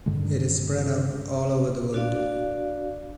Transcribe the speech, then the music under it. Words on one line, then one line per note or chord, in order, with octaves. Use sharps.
It is spread out all over the world.
G2 D3 D#3 G#3
D4 F#4 D5 F5